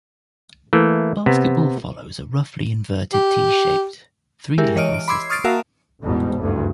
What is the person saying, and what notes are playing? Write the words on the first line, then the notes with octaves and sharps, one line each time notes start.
Basketball follows a roughly inverted-T-shaped three-level system.
E3 A3 A#3
C3 B3
G4
G#3 E4 G4 A#4
E3 C#5 D#5 F6 D7
D7
B5 C6 D6 E6 G#6 C7
C#6 D#6 F6 A6 C7 D7
A#3 F#4 A#4 E5 F5 A5
A1 E2 G#2 B2 G3
F#1 D2 G2